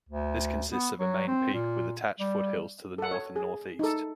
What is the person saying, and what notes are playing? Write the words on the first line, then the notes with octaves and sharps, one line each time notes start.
This consists of a main peak with attached foothills to the north and northeast.
D2
B3
F#3
C4
A#2
G3
A4 F#5
C#5
G#4
D#4 A4